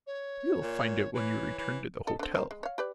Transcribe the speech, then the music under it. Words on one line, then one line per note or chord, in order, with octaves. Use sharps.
You will find it when you return to the hotel.
C#5
A#2
E3 C#5
E3
A4 D#5
D3 C4
C4 A#4
G#3
C#5 F5
G4 B4 D5